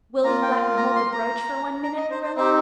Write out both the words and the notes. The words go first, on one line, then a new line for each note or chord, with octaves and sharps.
Will you let me hold the brooch for one minute, Marilla?
A#3 F4 A#5
G5
A#5
C6
A#5
A#5
D#5
C5
C5
C4 D#4 G4 C5